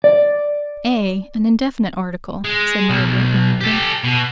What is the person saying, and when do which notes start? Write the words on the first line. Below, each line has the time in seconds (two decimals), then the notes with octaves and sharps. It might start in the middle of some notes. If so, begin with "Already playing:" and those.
'A, an indefinite article,' said Margaret, mildly.
0.04 D5
2.44 G#3
2.90 B1
3.61 G4 A4
4.04 B2